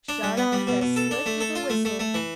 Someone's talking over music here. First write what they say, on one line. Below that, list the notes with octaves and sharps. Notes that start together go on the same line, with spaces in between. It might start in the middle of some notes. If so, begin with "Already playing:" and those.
Shot off as slick as a whistle.
D4
G3
B3
G3
B2
B2
A4
D4
A3
A4
F4
A3
A3
A3
E3